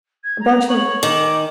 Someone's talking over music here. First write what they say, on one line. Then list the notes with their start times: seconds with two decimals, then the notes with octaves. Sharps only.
a bunch of
0.24 G#6
0.40 A#5
0.70 C#5 F#7
1.03 D#3 D6
1.21 G#5